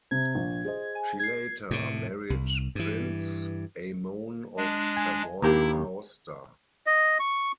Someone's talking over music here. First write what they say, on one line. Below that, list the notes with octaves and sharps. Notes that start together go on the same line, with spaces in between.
She later married Prince Aimone of Savoy-Aosta.
C3 G#6
A#1
G#4 C5 D#5
G#5
G#6 C7
A2 C3
C2
G2 E3
G#3 D4
G#5
D#2 A#3 D4 E4 G4 A#5
D#5
C#6